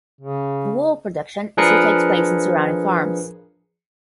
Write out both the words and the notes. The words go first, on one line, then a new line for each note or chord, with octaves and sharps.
Wool production still takes place in the surrounding farms.
C#3
F3 D4 G#4 A#4 B4 C#7